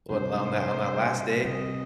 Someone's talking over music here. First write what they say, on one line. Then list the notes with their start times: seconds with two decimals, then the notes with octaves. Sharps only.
What on that on that last day,
0.10 C3 G3 D4 C5
1.45 C3 G3 C4 D#5